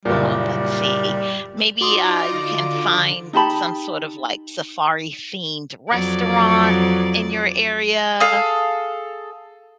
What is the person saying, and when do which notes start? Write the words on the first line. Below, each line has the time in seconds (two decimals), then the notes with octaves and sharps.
oh, let's see, maybe, uh, you can find some sort of, like, safari-themed restaurant in your area.
0.05 F#1 A#2 G3
1.81 D#4 F4 F#4 D5 A#5 C6 D#6
2.30 D3 F4
3.33 D#4 G4 A5 B5
5.90 F2 F#3 D5
8.20 G#4 A4 F5